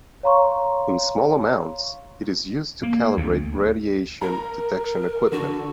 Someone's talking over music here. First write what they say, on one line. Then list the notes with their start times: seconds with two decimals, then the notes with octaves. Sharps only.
In small amounts, it is used to calibrate radiation-detection equipment.
0.23 C#5 F5 A#5 C6 C#6
2.83 A#3
3.17 D2
4.21 A#4 A#5
5.32 D3 F#4